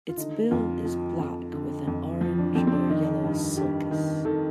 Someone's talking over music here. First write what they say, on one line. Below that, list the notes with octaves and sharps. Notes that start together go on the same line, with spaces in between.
Its bill is black with an orange or yellow sulcus.
F4
D3 D#4
F2 F4
F3
F2
D3
F2
F3
D4
F2 C4
C4
D4
D#3 D#4
G2
G2 G4
D#3
D#3 A4